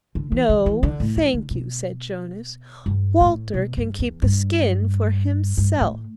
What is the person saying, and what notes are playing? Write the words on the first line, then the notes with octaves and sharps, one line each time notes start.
'No, thank you,' said Jonas, 'Walter can keep the skin for himself.
D3
E3
D3
E3
D3
A2
E3
D3
B2
G2
A2
B2
G2
E2
G2
G2
A2